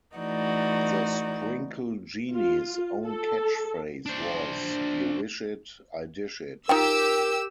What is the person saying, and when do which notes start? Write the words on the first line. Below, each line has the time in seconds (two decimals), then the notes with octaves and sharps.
The Sprinkle Genie's own catchphrase was: You wish it, I dish it!
0.16 E3 A3 D#4 F#4 D5
2.32 F4
3.07 A4
4.06 D4 C5
6.69 D#4 F4 G4 A#4 G5 E6